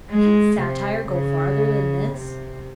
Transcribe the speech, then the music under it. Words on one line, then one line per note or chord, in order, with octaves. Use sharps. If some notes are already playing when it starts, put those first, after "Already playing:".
Can satire go farther than this?
G#3
C3
C#3
C3